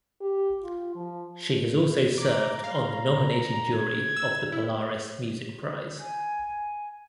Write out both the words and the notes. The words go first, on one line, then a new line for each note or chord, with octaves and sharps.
She has also served on the nominating jury of the Polaris Music Prize.
G4
F4
F3
A#5 D6
F5
A#2
G#6
E6
E4
G#5